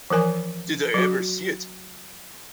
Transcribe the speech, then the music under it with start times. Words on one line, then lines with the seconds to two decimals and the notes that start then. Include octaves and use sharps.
Did I ever see it?
0.10 E3 F3 A#4 G#5
0.94 F#3 F#4